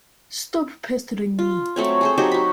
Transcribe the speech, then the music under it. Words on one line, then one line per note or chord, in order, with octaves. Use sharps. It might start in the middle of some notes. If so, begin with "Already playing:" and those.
Stop pestering me!
F4
F#3 A3 C4 C#5
G#4 A4 C5
F#3 D#4 G4 C5
F#4 B5